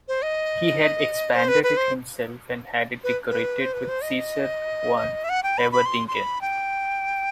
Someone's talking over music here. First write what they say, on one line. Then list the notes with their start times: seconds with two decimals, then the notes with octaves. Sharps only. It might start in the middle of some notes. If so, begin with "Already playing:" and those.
He had expanded it himself and had it decorated by Caesar van Everdingen.
0.08 C5
0.22 D#5
1.35 C5
1.48 B4
1.63 B4
1.77 C5
3.04 B4
3.30 B4
3.61 C5
3.74 B4
3.88 C5
4.03 D#5
5.24 E5
5.29 F#5
5.43 G5
5.58 B5
5.72 B5
5.86 C6
6.08 C6
6.14 B5
6.41 G5